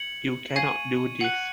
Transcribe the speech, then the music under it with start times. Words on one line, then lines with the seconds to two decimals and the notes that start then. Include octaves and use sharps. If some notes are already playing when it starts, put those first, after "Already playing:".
You cannot do this.
Already playing: G#6 C#7 F#7
0.56 F5 G#5 C#6 G#6 D#7
1.21 F#5 F#6 C#7 F#7